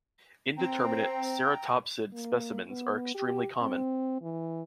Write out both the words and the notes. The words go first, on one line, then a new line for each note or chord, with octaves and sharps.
Indeterminate ceratopsid specimens are extremely common.
C4 G5 A#5
A#3
B3
G4
C4
E3